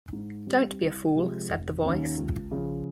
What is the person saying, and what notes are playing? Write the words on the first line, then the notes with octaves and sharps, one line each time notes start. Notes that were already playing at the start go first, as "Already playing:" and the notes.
"Don't be a fool," said the Voice.
G#2
G3 C4
C2
C3 F3 G#3
F1
D#2 D#3 A#3 C#4
C#2
C#3 F3